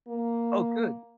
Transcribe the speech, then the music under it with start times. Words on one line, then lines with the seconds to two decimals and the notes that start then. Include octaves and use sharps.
Oh, good.
0.08 A#3